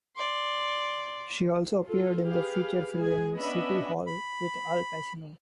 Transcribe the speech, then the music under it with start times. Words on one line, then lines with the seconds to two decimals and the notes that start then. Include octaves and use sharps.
She also appeared in the feature film "City Hall" with Al Pacino.
0.16 D5 C6
1.86 F4 A4
2.27 G4 G#4 B4 F5
2.98 G#3 G#4 G#5
3.37 B3 C#4 D4 D#5 E5 B5
4.07 B5